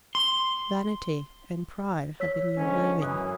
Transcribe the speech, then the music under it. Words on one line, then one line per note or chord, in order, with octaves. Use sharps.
Vanity and pride have been your ruin.
C6
C#5 E6 B6
G#2 D3 C#4
F#2 E3 D#6 F#6